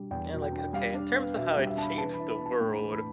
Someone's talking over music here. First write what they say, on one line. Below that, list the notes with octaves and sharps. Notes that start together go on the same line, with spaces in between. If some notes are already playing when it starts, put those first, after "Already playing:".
And like, okay, in terms of how it changed the world,
Already playing: B2 G3 D4
E2 G5
B2
G5
D4
G5
G3 F5
D4
B3
B2 E5
E5
G3
E5
D4 A5
B5
E3 A5
B5
E4
B5
B3
A5
A2 G5
B5
E3
B5